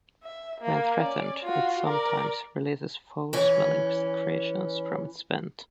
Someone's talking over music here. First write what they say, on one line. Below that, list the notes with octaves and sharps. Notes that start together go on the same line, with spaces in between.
When threatened, it sometimes releases foul smelling secretions from its vent.
E5
A#3
C#4 D5
F4 F#4
A#4 D5
E3 C#4